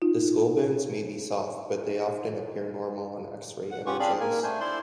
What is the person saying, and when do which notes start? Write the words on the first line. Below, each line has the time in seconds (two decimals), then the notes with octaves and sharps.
The skull bones may be soft, but they often appear normal on X-ray images.
0.02 D#4 F4
3.71 F#5
3.86 C#4 F4 G4 B4 F#5 C#6
4.00 C4 D4 G#4 D5 F5 B5
4.20 A#3 A#4 G#5
4.43 A3 D4 C5 G#5
4.60 E4 C5 D5 C6